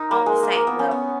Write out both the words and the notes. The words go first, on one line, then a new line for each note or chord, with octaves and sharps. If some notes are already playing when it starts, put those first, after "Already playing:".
on the same level.
Already playing: D#4 A#4
A#3
G#3
A#3
A#3
B3
C#4
B3